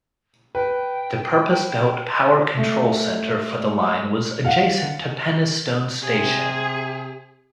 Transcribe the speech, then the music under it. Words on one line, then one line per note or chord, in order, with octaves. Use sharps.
The purpose-built power control centre for the line was adjacent to Penistone station.
B4 G5
A3
F5 F#5
C3 G#4